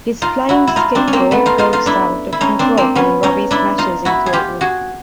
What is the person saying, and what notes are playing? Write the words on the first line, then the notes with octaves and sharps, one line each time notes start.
His flying skateboard goes out of control and Robbie smashes into a wall.
D#4 F4
E4 F#4
E4
D#4 F4
C4 D4
C#4
A#3 C4
A3 B3
D#4 F4
D#4 F4
D#4 F4
D4 E4
E4
C#4 D#4
C4 D4
A#3 C4
B3 C#4
C#4 D#4
D4 E4
D#4 F4
E4 F#4
G#4
F4 G4
F#4 G#4